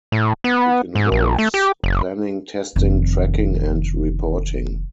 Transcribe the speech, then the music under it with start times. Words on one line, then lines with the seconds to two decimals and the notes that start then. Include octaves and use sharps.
It involves planning, testing, tracking and reporting.
0.12 A2
0.44 B3
0.95 G#2
1.12 A#1
1.38 A3
1.54 G4
1.84 F#1
2.76 F1 D#3